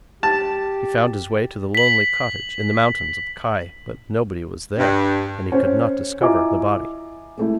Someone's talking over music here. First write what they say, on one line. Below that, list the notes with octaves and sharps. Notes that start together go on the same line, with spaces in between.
He found his way to the lonely cottage in the mountains of Kai; but nobody was there, and he could not discover the body.
G4 A5
B6 F#7
G2
C#4 C5 C#5
E4 F4 D#5 G#5 A#5 D6
G#3 A3 E4